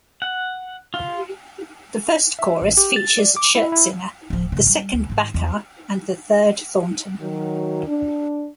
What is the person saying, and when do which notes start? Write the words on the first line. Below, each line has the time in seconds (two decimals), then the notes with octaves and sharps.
The first chorus features Scherzinger, the second Bacar and the third Thornton.
0.22 F#5
0.94 F4
2.39 E5
2.62 A1
2.77 G4
2.96 A6
3.19 D5
3.37 D6
3.55 E4
3.72 E4
4.30 D1 F3
4.52 G#1 C#3
4.66 G3
4.93 D2
5.10 G#2 D#3
5.34 E2
7.20 D#3 F#3
7.86 D4